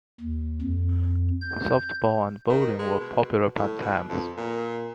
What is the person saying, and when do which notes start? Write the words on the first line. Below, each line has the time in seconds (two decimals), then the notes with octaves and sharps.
Softball and bowling were popular pastimes.
0.20 D#2
0.62 F2
1.41 G6
2.50 D#3
2.79 G#3
3.00 B2
3.56 A2
3.81 B2
4.09 F2
4.37 A#2